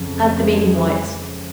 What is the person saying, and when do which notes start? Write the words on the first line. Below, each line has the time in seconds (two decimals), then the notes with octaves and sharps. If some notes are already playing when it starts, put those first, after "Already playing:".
Add the beaten whites.
Already playing: F2 C#3
0.39 G#3